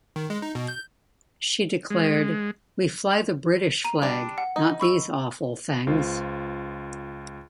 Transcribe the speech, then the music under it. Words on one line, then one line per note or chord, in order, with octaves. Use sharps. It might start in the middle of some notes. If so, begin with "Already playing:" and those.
She declared, We fly the British flag, not these awful things.
D#3
G#3
D#4
B2
G6
G#3
A#5 D#7
G3 D4
F#5
D#4
B5 C#6 E6
C#2 F4 C5